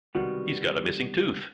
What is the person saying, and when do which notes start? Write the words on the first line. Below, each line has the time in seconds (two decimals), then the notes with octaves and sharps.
He's got a missing tooth!
0.15 C#2 C3 D#3 G3 B3 F#4